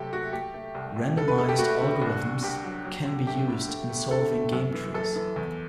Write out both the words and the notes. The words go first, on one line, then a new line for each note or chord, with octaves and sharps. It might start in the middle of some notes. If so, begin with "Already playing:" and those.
Randomized algorithms can be used in solving game trees.
Already playing: C3 F#3 A3 G4 A4
A3 F#4
A3 G4
A3
C2
C2
G2 A4
B4
A3 A4
G4
A3 F#4
D3
C2
C2
C2 G4
F#3
F#3
D3
A3 G4
D2
A3
A3
D3 A4
A3
F#2
E3
F#2 A4
E3
E2